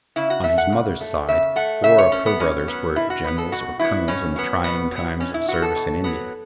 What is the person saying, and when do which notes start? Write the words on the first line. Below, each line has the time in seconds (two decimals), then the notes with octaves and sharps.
On his mother's side, four of her brothers were generals or colonels in the trying times of service in India.
0.16 C#3 E4
0.30 F#4
0.44 A3 E5
0.58 F#5
0.72 C#3
1.01 A3
1.28 C#3 E5
1.56 A3 F#5
1.84 C#3 E5
1.98 C#5
2.12 A3 C#4
2.26 B3
2.40 B2 C#4
2.68 F#3 B3
2.96 B2 E4
3.10 F#4
3.24 F#3 B3 B4
3.38 A4
3.52 B2 F#4
3.79 F#3 B3 E4
4.08 B2 C#4
4.36 F#3 B3
4.64 B2 B3
4.92 F#3 B3
5.20 B2 C#4
5.34 E4
5.48 F#3 B3 F#4
5.62 A4
5.76 B2
6.04 F#3 B3